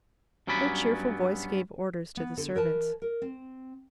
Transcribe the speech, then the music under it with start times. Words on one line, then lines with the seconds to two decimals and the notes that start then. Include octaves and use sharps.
Her cheerful voice gave orders to the servants.
0.47 G2 F#3 B3 C#4 D5 B5
2.17 B3
2.37 D3 A4
2.55 E3 A#4 B4 A5
3.02 A#4
3.22 C4